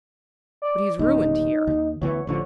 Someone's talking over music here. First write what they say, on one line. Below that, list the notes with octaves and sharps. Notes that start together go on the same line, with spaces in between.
But he's ruined here.
D5
D1 D#2 D#4
D#2
D2 E3 B3 C#5
A1 D3 F3 C#5